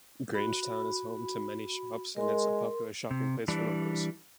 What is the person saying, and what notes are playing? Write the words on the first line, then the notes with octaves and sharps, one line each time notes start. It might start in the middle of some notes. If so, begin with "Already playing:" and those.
Grangetown is home to many shops and is a popular shopping place for locals.
F#4 B5
G#3 A#4 C6
C3
E3 G3 D4